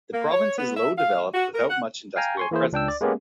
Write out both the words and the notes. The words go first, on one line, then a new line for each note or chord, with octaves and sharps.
The province is low developed without much industrial presence.
A#3
C#5
B3
E5
F5
F#4
A#4
F#5
F5 G5 G#5 A#5
G#5 C6 C#6
E3 A#3 E4 G#4 C5
C#2 D4 G5 E6
D5
G#3 A#3 B3 C#4 G4